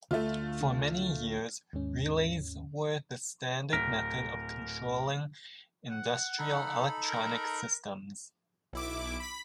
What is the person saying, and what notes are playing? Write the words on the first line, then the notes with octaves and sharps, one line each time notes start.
For many years relays were the standard method of controlling industrial electronic systems.
D2 A3 F4 E5
D#2 G#2 G#3 C#4
D1 A#4 B6
F#5
D#4 A4 B5
A#4
B1 E4 D6
B5 B6